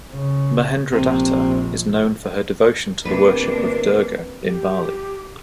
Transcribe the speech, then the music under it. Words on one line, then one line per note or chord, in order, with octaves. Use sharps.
Mahendradatta is known for her devotion to the worship of Durga in Bali.
C#3
A#1 C3
G1 C3 A#3 D4 A#4 B4
G4